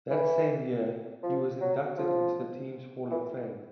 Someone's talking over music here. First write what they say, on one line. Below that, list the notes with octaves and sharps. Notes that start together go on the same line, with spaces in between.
That same year, he was inducted into the team's Hall of Fame.
E3
F3
F#3
F3
E3